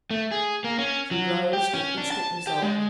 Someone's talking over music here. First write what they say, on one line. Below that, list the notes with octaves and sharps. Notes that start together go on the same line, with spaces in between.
She rose with instant resolve.
A3
G#4
A#3
C#4
F#3
G4
C#4
D4
A5
G4
G#3